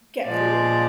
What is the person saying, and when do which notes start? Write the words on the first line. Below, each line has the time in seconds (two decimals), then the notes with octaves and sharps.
get through ‘em all.
0.25 A#2 F3 G#3 D5